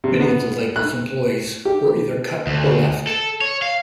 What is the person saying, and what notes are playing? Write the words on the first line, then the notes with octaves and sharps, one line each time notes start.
Many of the label's employees were either cut or left.
C3
B3
F#6
G4
D2
A4
C#5
F5